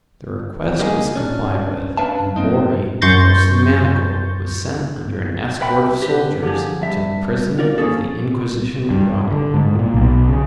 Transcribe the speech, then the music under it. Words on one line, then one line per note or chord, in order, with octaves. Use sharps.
The request was complied with; and Borri, closely manacled, was sent under an escort of soldiers to the prison of the Inquisition at Rome.
G3 A#3 D#4 F4 G#4
C#4 D4
C#4 D4 B4 E5 F5 A5
F#3 A#3 C4 D#4
F#2 C6 C#6 G6 A6 A#6
B4 E5 G5 B5
G4 B4
D3 F3 G4 G#4
G2 E5
F4 A#4 D5
F3 A#3 C#4 G#4 A4
G2
D3
G#2
A#2
B1
C#3